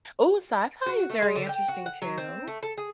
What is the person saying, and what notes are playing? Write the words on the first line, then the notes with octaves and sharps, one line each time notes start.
Ooh, sci-fi is very interesting, too.
F#4
A3
G#3
D3
G5
F#4
F#5
F#3
C4
A3
A4
G#4